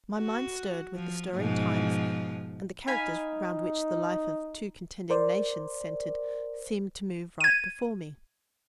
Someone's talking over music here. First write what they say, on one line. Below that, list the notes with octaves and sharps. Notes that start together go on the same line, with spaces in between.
My mind stirred with the stirring times, and the characters round which the life of two contending nations centred seemed to move right before me.
F#4
F3
G#2 B2 F3
D#4 F5 G#5 B5
A#4 C5 D5
G#6 D#7